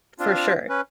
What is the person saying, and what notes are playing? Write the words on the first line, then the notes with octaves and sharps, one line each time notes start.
For sure.
C4 D4 F4
C#4 B4